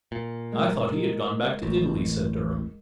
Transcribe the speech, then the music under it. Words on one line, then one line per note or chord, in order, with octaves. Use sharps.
"I thought he had gone back to Italy," said Durham.
A#2
G#3 A#3 G#4
A1